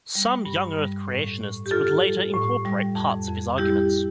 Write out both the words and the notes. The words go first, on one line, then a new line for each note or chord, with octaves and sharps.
Some young Earth creationists would later incorporate parts of his arguments.
G3
G2
G3
A2
A2
G4
A2 F4 A4
G3
A2
G3
F2
F2
G3 E4 G4